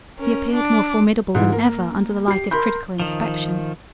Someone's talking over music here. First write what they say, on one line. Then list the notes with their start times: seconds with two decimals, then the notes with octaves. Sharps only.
He appeared more formidable than ever under the light of critical inspection.
0.18 C#4 A#4
0.54 D4 D6
1.35 G#2 E3 F4
1.52 A#3 A#4
2.28 G4 C7
2.51 A#4 B5 C6 G6
3.00 D#3 F3